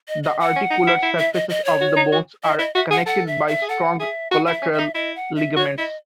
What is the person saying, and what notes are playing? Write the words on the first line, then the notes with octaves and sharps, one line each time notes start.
The articular surfaces of the bones are connected by strong collateral ligaments.
D#5
D#5
F#5
C#4
D#4
E4
E4
E5
D#5
D#5
C#5
F#4
D#4
F#4
E4 D#5
E4 D#5
F#4 E5
G#4 F#5
A4 F#5
E5
E5
G#4
A4 F#5
G#4 E5
F#4 F#5
E4 F#5
E5
C#4
E5
D#4
E4 D#5
F#5
E5
F#4 C#5
E4 D#5